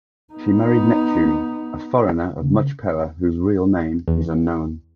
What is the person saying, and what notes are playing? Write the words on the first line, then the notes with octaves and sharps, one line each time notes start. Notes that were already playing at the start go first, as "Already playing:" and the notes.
She married Neptune, a foreigner of much power whose real name is unknown.
B3 D#4
C#3
E2